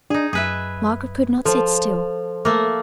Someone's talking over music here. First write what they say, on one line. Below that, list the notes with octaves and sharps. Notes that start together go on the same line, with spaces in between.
Margaret could not sit still.
D4 D#4 G#4
F#2 G#4 B4 E5
F3 A4 C5
A3 A#3